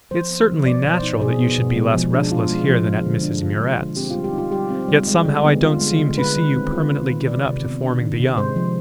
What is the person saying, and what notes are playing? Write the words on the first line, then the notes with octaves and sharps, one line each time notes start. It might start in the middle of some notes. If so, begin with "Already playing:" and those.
"It's certainly natural that you should be less restless here than at Mrs. Murrett's; yet somehow I don't seem to see you permanently given up to forming the young."
F3 C5
B3
F3
B3 D5
B2
C5
D#4
B2 G#4
B3
B2
G#3
F3
D4
F4
G#3
F3
G#3
D3
D4
F4
G#3
D3
C4 G4
G3 F4
G4
D#4 F4
G3 G4
C4
G3
G#3
D3
B3
F4
G#3
D3
G#3 B4
D#3
C4
F4
G#3
D#3
D#3 D5
C3
B3
D4
D#3
C3
G#3 C5
F3